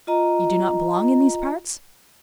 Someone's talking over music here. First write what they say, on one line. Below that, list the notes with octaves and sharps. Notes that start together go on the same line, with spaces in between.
"You do not belong in these parts?"
F4 D#5 A#5